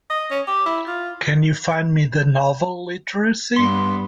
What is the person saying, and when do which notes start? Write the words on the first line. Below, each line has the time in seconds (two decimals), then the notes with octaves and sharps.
Can you find me the novel, Literacy?
0.10 D#5
0.31 C#4
0.47 G4
0.66 E4
0.88 F4
3.56 G2 B3 C6